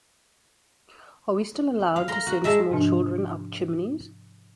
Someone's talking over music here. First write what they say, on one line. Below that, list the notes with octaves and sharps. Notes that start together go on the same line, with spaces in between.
Are we still allowed to send small children up chimneys?
F5
A#4 A#5 C6
F#4
G#3 E5 A5
G#2 C3 F3 D4